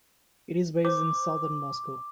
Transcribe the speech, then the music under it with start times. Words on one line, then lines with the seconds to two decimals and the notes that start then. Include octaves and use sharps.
It is based in Southern Moscow.
0.85 C5 D6